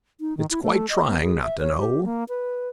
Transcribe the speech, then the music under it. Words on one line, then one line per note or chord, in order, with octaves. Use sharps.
It's quite trying not to know.
D#4
D#3
E4
A3
D#5
B3
G#4
E5
C#5
G4
A#3
B4